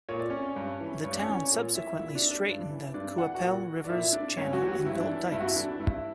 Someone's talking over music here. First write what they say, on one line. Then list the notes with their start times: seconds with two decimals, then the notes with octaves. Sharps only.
The town subsequently straightened the Qu'Appelle River’s channel and built dikes.
0.09 A#2 C#5
0.20 D5
0.30 C#4 C#5
0.56 G2
0.80 E3
1.04 G2 C#5
1.12 D5
1.19 C#4 C#5
1.28 E3
1.52 A#2
1.75 E4 E5
1.99 A#2 E4 E5
2.15 D4 D5
2.31 D4 D5
2.47 G2
2.70 E3
2.94 G2 D4 D5
3.18 E3 F#5
3.35 F#4 F#5
3.42 A#2
3.84 D5
3.89 A#2 E4 E5
4.13 D4 D5
4.37 G2 C#4 C#5
4.53 F#3 F#4
4.60 E3 G4
4.68 F#3 F#4
4.85 G2 E4
5.00 D4
5.09 E3
5.17 E4
5.32 G2 E4
5.40 F#4
5.47 E4
5.56 E3 D4
5.80 G2 E4